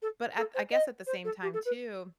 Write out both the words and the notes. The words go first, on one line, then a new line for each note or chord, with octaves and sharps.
but I I guess at the same time too,
A4
A4
C5
D#5
C5
A4
G4
A4
B4